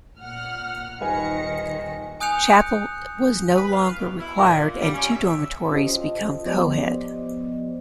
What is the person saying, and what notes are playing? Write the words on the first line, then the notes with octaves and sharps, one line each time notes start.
Chapel was no longer required and two dormitories become coed.
A#2 F#5 F6
D#1 D#3 B4 D#5 G#5 A#6 C#7
G#5 D#6 F#6 G6 C#7 F7
B4
F5
B2
E4
A#2
G3
C#4
E5
C#4 F4 G4 A4 C5 D#5
F3 B3 G4 C5 D5 D#5